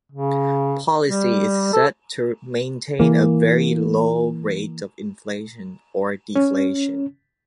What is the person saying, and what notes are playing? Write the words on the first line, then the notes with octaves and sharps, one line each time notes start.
Policy is set to maintain a very low rate of inflation or deflation.
C#3
G3
A4
E3 A#3
C#4